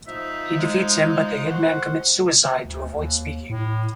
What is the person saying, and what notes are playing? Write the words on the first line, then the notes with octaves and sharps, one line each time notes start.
He defeats him but the hitman commits suicide to avoid speaking.
F3 D#4 E5
G#3
F#4 C5
D2
D#2
A2